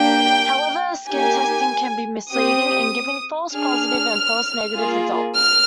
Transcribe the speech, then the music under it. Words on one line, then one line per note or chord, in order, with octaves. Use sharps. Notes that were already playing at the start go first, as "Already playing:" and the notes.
However, skin testing can be misleading in giving false positive and false negative results.
Already playing: A#3 D4 G4 G5
A#3 D#4 G4 G#5
C4 G4 D#6
D4 G#4 F6
A#3 F4 G#4
F6